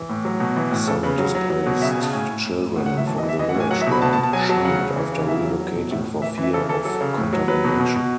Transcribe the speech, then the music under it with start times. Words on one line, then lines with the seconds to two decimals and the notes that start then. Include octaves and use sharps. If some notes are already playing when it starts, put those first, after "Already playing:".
Some displaced children from the village were shunned after relocating for fear of contamination.
Already playing: E3
0.09 A2
0.25 F#3
0.40 B2
0.56 E3
0.71 A2
0.87 C#3 A4
1.03 C#3 B4
1.18 F#3
1.35 F#3
1.50 F#3
1.66 B2
1.81 C#3 E5
1.92 G#5
1.98 C#3 A5
2.13 A2 G#5
2.29 A2
2.45 A2
2.61 A2
2.76 A2 F#5
2.86 F#5
2.92 F#3
2.97 E5
3.07 E3 A5
3.18 D#5
3.23 E3
3.29 E5
3.39 E3 D#5
3.49 F#5
3.55 A2
3.60 G#5
3.71 F#3 F#5
3.81 E5
3.86 B2
3.92 B5
4.02 B2 A5
4.13 A5
4.18 B2
4.23 A5
4.33 F#3 G#5
4.49 F#3 A5
4.65 C#3 F#5
4.81 C#3
4.97 E3
5.12 C#3
5.28 F#3 E5
5.44 F#3
5.59 F#3
5.75 B2
5.91 A2 E5
6.06 A2
6.22 E3 E5
6.38 E3
6.43 E5
6.53 C#3 A4
6.69 E3 A4
6.85 F#3 A4
7.01 C#3
7.17 A2
7.33 F#3
7.48 F#3 B4
7.64 B2
7.80 B2
7.96 B2